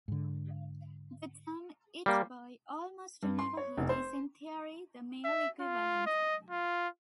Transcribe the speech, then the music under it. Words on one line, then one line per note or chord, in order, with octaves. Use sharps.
The term "It boy", almost never heard, is in theory the male equivalent.
G#2 D3
G3 A#3
G2
C6
C#5
F1
C5
E5
F4
D#5
F4